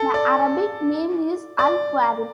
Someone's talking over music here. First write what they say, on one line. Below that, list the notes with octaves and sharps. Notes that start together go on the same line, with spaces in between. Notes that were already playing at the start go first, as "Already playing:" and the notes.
The Arabic name is Al-Quwarib.
Already playing: A4
D5
D5